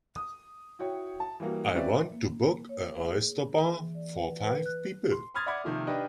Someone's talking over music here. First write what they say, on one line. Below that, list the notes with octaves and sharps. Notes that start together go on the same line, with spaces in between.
I want to book an oyster bar for five people.
D#6
E4 F#4 C#5 G5
A5
E3 G3 A#3 F#4
C4 C#4 F4 B4 D5 E5
A#3
C#5
G#4
E3
D5
B4
B4
F#6
C6
B5 C6 D#6 F6 G#6 A6
D5 E5 F#5 B5 D6 G#6
C3 D#3 F3 A#3
D4 D#4 G4 B4 D#5 G5